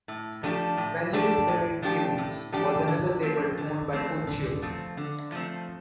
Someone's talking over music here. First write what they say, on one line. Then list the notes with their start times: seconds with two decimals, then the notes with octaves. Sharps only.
Value Hit Parade Tunes was another label owned by Puccio.
0.08 A2
0.43 F3 A3 D4 G4
0.77 A2
1.13 F3 A3 D4 G4
1.48 A2
1.82 F3 A3 D4 G4
2.18 A2
2.52 F3 A3 D4 G4
2.88 D3
3.22 F3 A3 C4
3.57 D3
3.92 F3 A3 C4
4.27 D3
4.62 F3 A3 C4
4.97 D3
5.32 F3 A3 C4